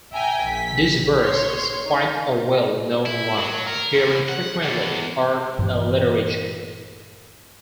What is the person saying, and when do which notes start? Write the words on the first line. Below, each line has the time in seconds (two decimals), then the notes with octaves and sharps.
This verse is quite a well known one, appearing frequently in art and literature.
0.14 E5 G5 G#5 A#5
0.44 A#1 B6
1.23 C#5 C6
1.84 D#4
3.06 E4
3.39 F#3
3.67 A#4
3.94 E2
4.29 F#5
4.63 E2
5.59 G2 A#2 E3